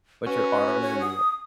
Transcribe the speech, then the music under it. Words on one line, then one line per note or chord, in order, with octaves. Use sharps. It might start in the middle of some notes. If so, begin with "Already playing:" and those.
with your arms in the ai
C#4 F#4 B4
C#5
D#6